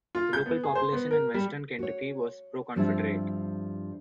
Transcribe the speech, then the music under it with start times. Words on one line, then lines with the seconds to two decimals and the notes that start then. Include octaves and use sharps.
The local population in western Kentucky was pro-Confederate.
0.15 F4
0.33 G6
0.46 B3
0.63 G#4
0.75 C5
0.92 B3
1.11 A#4
1.34 G3
1.79 F#4 C#5
2.76 G2 F3 G3 C4 D4 E4